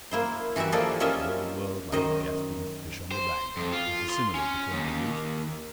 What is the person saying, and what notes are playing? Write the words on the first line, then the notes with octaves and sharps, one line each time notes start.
"For all the world like a gasping fish on the bank," was the simile the colonel used.
A#3 E4 C5
E3 F#4 G4 B4 E5
F3 A#3 A4 D5 D#5 C6
A#3 C#4 F4 A#4 D#5 E5
F#2 D#3 C5 D#5
C5
F2
F4
C6
C#4
D#2